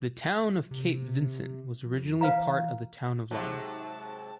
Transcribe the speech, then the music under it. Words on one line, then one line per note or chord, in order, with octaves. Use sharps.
The Town of Cape Vincent was originally part of the Town of Lyme.
C3
F2
E3 B4 F5 A#5
G#2 C3 F#3 A5